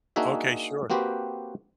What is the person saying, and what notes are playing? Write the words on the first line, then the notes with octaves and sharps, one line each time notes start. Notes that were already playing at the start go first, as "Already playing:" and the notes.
Okay, sure.
A#3 D4 D#4 F#4 G#4 E5
A#3 C4 F#4 G4 B4 C5